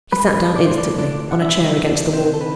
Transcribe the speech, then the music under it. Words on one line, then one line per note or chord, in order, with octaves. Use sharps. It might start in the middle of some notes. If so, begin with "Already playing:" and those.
He sat down instantly, on a chair against the wall.
F#2 B4 B5
F#3
D5
A3 C5
D4 D5
C3 D4 D5
E3 F#5
E4 E5
C2
C2 D4 D5
C3 C4 C5
A4
E3 B4